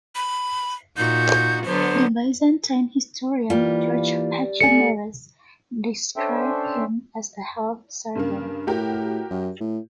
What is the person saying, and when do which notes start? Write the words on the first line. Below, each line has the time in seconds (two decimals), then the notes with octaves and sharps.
The Byzantine historian, George Pachymeres, described him as a "half-Serbian".
0.15 B5
0.97 A#2 D#4 F#4 G6
1.65 D3 F#3 B3 C5
3.50 E3 G3 A#3 F4
4.60 A3 A4 D5 G#5 C#7
6.16 C#4 D4 A4 C5 E5 G5
8.16 G2 C#3 A#3
8.67 A2 F#4 G4 A#4
9.30 F#2
9.60 A2